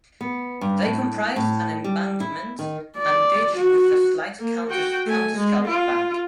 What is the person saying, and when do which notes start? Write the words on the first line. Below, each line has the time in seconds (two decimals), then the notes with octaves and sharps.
They comprise an embankment and ditch with a slight counter-scarp bank.
0.21 B3
0.61 G2
0.83 A2
1.36 A2
1.84 G3
2.20 E4
2.59 D#3
2.98 D5
3.57 F#4
4.40 A#3
4.70 F#4 G5
5.06 A3 G#5
5.36 G#3
5.68 F4